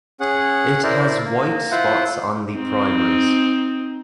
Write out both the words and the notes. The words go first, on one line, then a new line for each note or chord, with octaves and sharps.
It has white spots on the primaries.
C#4 G#4 F#5
E4 A#4 C5 D5
A#3
E4 F4 C5 F#5
C4 D#4